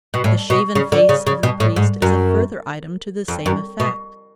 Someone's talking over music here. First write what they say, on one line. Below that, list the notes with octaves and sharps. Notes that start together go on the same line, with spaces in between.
The shaven face of the priest is a further item to the same effect.
B2
A2
B2
C#3
D3
C#3
C#3
B2
A2
G#2
F#2
F2
F#2
B2